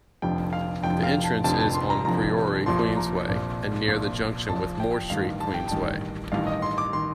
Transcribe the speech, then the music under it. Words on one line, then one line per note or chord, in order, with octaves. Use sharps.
The entrance is on Priory Queensway, and near the junction with Moor Street Queensway.
F1 F2 D3 F3 G5
F5
F1 F2 D3 F3 G5
F5
A5
F1 F2 D3 F3 A5
A5
C6
A#5
F1 F2 D3 F3 A#5
A#1 A#2 F3 C6
A#5
A#1 A#2 F3
A#1 A#2 F3
A#1 A#2 F3 A5
G5
A1 G2 D#3 F5
A5
G5
A1 G2 D#3 A5
A1 G2 D#3 F5
D#5
C6
D6
D#3 C6